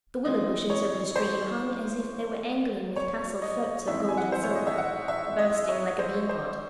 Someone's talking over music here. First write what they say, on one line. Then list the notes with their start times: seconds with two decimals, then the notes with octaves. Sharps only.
The willow-bushes over the stream hung as if they were angling with tasseled floats of gold and silver, bursting like a bean-pod.
0.25 G#2 E3 G#3 C4 D#5
0.70 C#5
1.16 C5
2.96 C#5
3.42 D#5
3.87 G#2 E3 G#3 C4 E5
4.09 G#5
4.17 F#5
4.32 C5
4.43 C#5
4.55 D#5
4.67 E5
4.78 F#5
5.08 E5
5.39 D#5
5.69 C#5
5.99 C5
6.29 C5